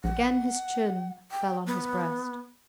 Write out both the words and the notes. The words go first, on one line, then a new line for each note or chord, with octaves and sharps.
Again his chin fell on his breast.
A#1 F#5
G5
B3